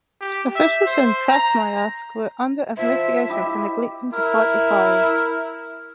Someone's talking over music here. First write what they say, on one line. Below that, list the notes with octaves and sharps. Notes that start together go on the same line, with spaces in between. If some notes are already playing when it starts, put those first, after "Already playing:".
Officials in Krasnoyarsk were under investigation for neglecting to fight the fires.
G4
E5
C5
A#5
F3 C5 E5
E4 G4 D#5
E4 A#4